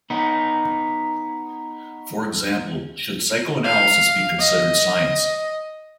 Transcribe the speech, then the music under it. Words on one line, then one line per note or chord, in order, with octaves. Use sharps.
For example, should psychoanalysis be considered science?
B3 D#4
F5
D#5